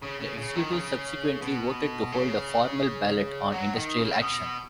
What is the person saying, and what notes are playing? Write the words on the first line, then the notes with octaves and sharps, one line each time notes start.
The executive subsequently voted to hold a formal ballot on industrial action.
C#3
C#3
C#3
D#3
C#3
B2
C#3
F#3
D#3
C#3
B2